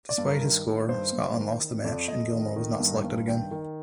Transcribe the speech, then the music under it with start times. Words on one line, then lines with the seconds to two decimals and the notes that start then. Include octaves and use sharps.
Despite his score Scotland lost the match and Gilmour was not selected again.
0.09 D5
0.18 G2
0.25 A#4
0.42 D#3
0.65 D#3
0.89 G2 C5
1.13 G2
1.37 D#3
1.61 D#3
1.84 F2 D5
2.08 F2 D#5
2.33 D#3
2.56 D#3
2.80 G2
3.04 G2
3.27 D#3 G5
3.51 D#3